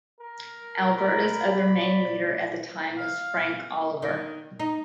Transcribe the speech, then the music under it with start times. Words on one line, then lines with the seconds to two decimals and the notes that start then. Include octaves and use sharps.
Alberta's other main leader at the time was Frank Oliver.
0.20 A#4
0.98 B5
1.50 D5
2.97 F5
4.02 D#3
4.59 D#4